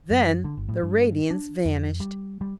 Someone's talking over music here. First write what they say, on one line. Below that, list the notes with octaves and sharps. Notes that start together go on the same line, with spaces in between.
Then the radiance vanished.
F#2
D3
G1
A2
G2
D4
F2
G3
G3